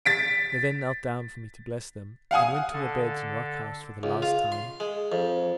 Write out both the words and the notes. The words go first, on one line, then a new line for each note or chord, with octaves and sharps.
They then knelt down for me to bless them, and went to their beds in Rock House for the last time.
A6 B6 D7
F5 F#5 G#5 D#6
D3 A4
C#2
F4
C6
G#3
F2